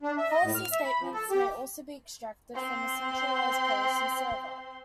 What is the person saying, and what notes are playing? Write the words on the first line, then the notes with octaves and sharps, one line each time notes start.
Policy statements may also be extracted from a centralized policy server.
D4
E5
D#5
A2
F6
E5
B5
F3
A4
G4
C4 C6